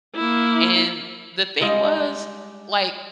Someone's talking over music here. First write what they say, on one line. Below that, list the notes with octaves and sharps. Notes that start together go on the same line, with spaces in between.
and the thing was, like,
A#3 E4
G3 G#3 D#5 F5